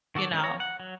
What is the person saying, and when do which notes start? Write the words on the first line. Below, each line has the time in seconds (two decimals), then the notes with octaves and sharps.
you know,
0.15 D#3 F#4 A4 D6
0.31 D#3 E3 G#3 A#3 C#4
0.43 C#5 A#5
0.60 F#5
0.80 F#3